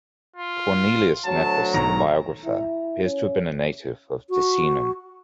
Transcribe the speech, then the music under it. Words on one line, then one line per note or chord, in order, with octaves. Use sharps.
Cornelius Nepos, the biographer, appears to have been a native of Ticinum.
F4
D2 F#3 A5
B1 G#2 D#3 A#5
E4
C#4
F#4